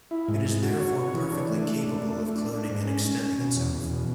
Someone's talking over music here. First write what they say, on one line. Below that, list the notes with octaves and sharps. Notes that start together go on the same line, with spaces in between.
It is therefore perfectly capable of cloning and extending itself.
E4
G#2
G#2
F#4
C#5
C#5
E3
D4
A3
A3
D4
A3
A3
D4
D4
G#2
C#4
C#4
C#4
B2
E2
E2
B2